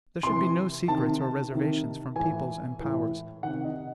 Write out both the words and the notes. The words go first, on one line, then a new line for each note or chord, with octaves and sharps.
There should be no secrets or reservations from peoples and powers.
C3 E3 C6
C3 D#3 A5
C3 D#3
A2 E3 G#5
A2 E3
C3 D#3 F#5
D#5